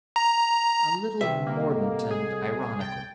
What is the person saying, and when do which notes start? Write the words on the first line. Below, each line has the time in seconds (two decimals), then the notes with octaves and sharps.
'A little mordant and ironical.'
0.16 A#5
1.21 C2 B4 E5 G5
1.47 A#3
1.70 A4 D#5 F#5
2.11 G#4
2.81 G5 A5 G#6 A6